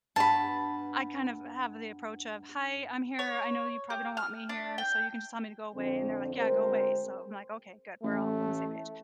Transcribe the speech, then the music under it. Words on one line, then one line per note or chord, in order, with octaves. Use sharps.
I kind of have the approach of, "Hi, I'm here, I know you probably don't want me here, so you can just tell me to go away," and they're, like, "Yeah, go away." So, I'm, like, "Okay, good," we're all on the same page,
G2 B3 A5 B5
C#5
G4
F6
D4
G5
F2 D3 C4
D2 G#3 C4 A#4 C5
A1 A3